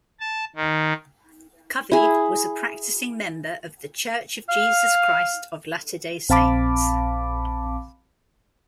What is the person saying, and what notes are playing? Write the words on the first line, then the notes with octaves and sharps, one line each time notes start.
Covey was a practicing member of The Church of Jesus Christ of Latter-day Saints.
A5
D#3
E4 G#4
F5
A#1 C4 F5 A5 B5 D6